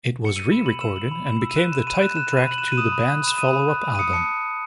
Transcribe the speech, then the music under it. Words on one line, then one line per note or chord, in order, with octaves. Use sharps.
It was re-recorded and became the title track to the band's follow-up album.
C#7
E6 D#7
B5 E7
B5 F#7
E6 E7
E6 F#7
B5
B5 E7
E6
D#7
F#6 E7
B5 E7
B5 D#7
F#6 E7
F#6 E7
B5 D#7
B5 F#7
F#6 E7
D#7
D#6 E7
B5
F#6
B5 E7
D#6 D#7
B5
F#6
B5
D#7
D#6 C#7
A5 C#7